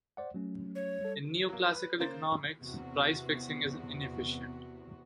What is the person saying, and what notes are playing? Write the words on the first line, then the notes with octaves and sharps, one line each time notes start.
In neo-classical economics, price fixing is inefficient.
C5 D5 F#5
F#3 A3 C#4
C#5
G3 A4
F#3 A#3
B4
C#3 A#3 C5 A6
E2 C3 B3 F#4